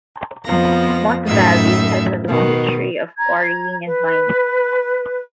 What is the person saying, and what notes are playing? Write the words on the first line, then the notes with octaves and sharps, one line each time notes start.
Moss Valley has a long history of quarrying and mining.
F2 F3 B3 F4 A#6
F#2 A2 D#4 E5 E6
B2 D#3
A#5 G#6
B4